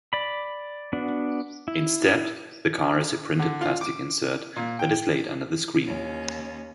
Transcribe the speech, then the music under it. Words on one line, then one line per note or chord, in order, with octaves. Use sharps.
Instead, the car is a printed plastic insert that is laid under the screen.
D5 B5
B3 D4 F#4
E4
D3
F4
D6
A#2
G5
D#2 C#4